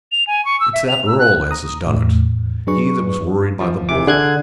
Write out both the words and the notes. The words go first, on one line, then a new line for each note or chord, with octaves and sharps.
It's that earl as has done it,--he that was worried by the bull.
F7
G#5
C#6
E6
E5
F7
E6
F#6
A#5 D#6
E2 A2
F#2 F#3 D4 G#4 B4 C#6
F3
C3 E3 D6
D3 G#4 F#6 G#6